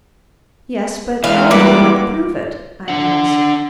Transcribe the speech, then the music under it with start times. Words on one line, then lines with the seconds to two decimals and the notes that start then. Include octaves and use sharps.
"Yes, but how are we going to prove it?" I asked.
1.24 E3 G#3 F5
1.51 G3 A#3 B4 F#5 D6
2.88 D4 F#5